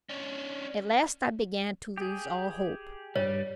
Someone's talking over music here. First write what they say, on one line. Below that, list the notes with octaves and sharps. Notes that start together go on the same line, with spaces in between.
At last I began to lose all hope.
C#4 D4
G4 G#4
G2 G3 C#5